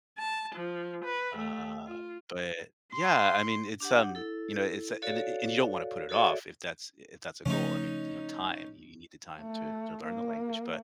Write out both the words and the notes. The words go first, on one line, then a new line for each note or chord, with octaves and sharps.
Uh, but, yeah, I mean, it's, um, you know, it's and y y y you don't want to put it off if that's if that's a goal. I mean, you know, time. Y you need the time to to learn the language. But,
A5
F3
B4
A3
F4
C6
D4 G4 F#5
E4 A4
F#4 A4 C#5 D5 F5
F#4 G#4 A4 C#5 D5 E5
C#3 F3 A3 C#4 D#4
A3
A#3